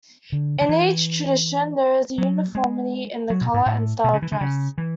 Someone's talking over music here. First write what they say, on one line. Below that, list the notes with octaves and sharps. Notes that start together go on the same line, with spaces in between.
In each tradition there is uniformity in the colour and style of dress.
D3
D3
E3
F#3
G#3
F#3
B2
G#2
A2
B2
C#3
E3
D3
C#3
E3